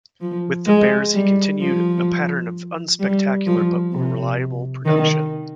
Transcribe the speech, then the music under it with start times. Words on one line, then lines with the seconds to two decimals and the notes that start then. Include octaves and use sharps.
With the Bears he continued a pattern of unspectacular but reliable production.
0.21 F3
0.67 G#3
1.14 G3
1.60 F3
2.99 G3
3.46 F3
3.92 C3
4.85 D#3